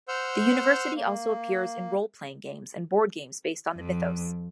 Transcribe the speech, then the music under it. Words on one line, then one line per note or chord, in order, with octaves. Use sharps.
The university also appears in role-playing games and board games based on the mythos.
C5 F#5 E6 F6 G6
A#3
F2